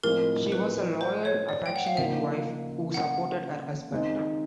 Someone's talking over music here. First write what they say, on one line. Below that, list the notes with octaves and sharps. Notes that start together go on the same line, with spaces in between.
She was a loyal, affectionate wife, who supported her husband.
A2 F3 G#3 C4 E4 A#4
B4
C5
C#5
D5
G5
F#5
F5
C#3 F3 A#3 D#4 E5
F#5
D#3 G#3 C4 D#4